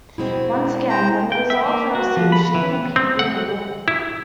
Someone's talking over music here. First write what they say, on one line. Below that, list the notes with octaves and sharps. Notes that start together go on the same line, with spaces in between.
Once again, when the results were received, she didn't appear green at all.
B2 G#3 C4 E4
C5 G5 A#5
G5
E5
A#3
F#4
F3
B5
E3
B3
C4
F#5
E4